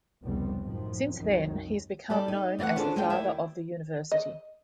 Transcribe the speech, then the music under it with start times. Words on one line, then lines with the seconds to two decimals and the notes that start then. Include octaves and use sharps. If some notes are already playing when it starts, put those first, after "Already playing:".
Since then, he has become known as The Father of the University.
0.23 F1 C#2 C#3 G3 B3 C4
0.60 F#2 A2 D#3 F3
1.18 C2 F#2 D#3
2.10 G3 D#4 G4 A4 D5
2.28 D#4
2.59 D#3 E3 F#3 A3 F#5
2.76 C#4 D4 F4 G#4 A4 C5
2.96 G#3 A3 D4 F#4 G5
3.10 D#2 D#3 E4 D5 E5 G5
4.12 D#5